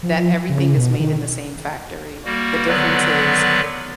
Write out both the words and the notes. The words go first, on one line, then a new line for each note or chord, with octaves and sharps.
that everything is made in the same factory. The difference is,
F3
C#3
B2
D#3
G3 A#3 F#4
D3 D#3 F#3 B3 B4 D5